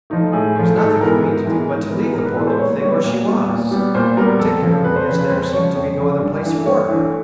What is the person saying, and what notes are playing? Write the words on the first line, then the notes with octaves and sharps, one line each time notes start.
There was nothing for me to do but to leave the poor little thing where she was, particularly as there seemed to be no other place for her.
F3 A3 D#4
A2 G#4
F3 A3
G#2 A4
E3 G#3 B3 A#4
G#2
E3 G#3 B3
G#2
E3 G#3 B3
G#2 A#4
B4
E3 G#3 B3 A4
C5
A#2 C#5
G3 B3 C#5
A#2
G3 B3
A#2
G3 B3
A#2 C5
G3 B3 A#4
F2 A4
C#3 F3
F2 B4
C5
C#3 F3 B4
B4
F2 C5
C#3 F3 C#5
F2 C#5
C#3 F3
G2
E3 A3
G2 C#5
E3 A3